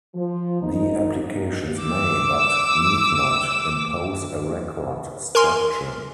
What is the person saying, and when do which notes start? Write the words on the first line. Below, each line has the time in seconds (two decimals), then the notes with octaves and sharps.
The applications may, but need not, impose a record structure.
0.15 F3
0.62 G#1 D#4
1.30 B2 D#4
1.82 D6 E6
5.35 A#4 G#5 C6